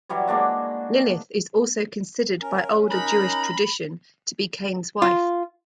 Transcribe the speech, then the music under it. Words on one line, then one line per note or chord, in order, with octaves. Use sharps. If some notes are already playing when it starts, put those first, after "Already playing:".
Lilith is also considered by older Jewish tradition to be Cain's wife.
E3 F#3 G3 C#5
G#3 A#3 D4 F#4
C#4 A#4
D#4 A#4 A#5 B5 F#6
F4